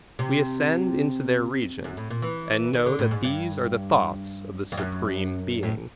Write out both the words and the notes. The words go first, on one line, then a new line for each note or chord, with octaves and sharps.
We ascend into their region, and know that these are the thoughts of the Supreme Being.
C3
F#2
A2
A#2
E3
D#3
D3
A2
G#2
G2
F2
F#2
A2